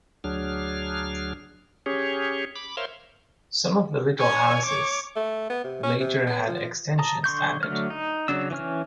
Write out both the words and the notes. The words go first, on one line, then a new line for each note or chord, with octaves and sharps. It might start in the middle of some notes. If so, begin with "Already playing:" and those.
Some of the little houses later had extensions added.
D2 F#3 D4 G#4 F6
C#4 G4 G#4 C#5
B5 D6
A#4 C5 C#5 E5 F5 C6
C#5 G#5
C#5 D6
A3
B3
C3
C#4
C3
B3
F3
A5 A#5 D#6
D3 C6 C#6 G6
D3 F#3 A3 F6
D#4
C#3 F#3 D4 E6
E3 C#4 F6